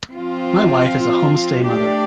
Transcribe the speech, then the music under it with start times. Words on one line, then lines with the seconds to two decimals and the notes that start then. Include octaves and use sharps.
My wife is a home-stay mother.
0.12 F3 C4 F4
1.62 A3 D4 G4 D5